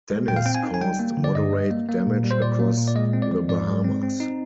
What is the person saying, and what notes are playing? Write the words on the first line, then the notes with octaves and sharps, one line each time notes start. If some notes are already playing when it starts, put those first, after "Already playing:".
Dennis caused moderate damage across the Bahamas.
G#3
A#2 G5
F5
C4 G5
G#5
D#4
G#5
G3 G5
A#3
D3
D5
G2 D#5
G3
A#3
A#3
A#2
G3
C5
A#2 D5
A#3
A#2
D5
G#3 D#5
C4
D5
F3
G#2 D5
G#3
C4
C4
D#4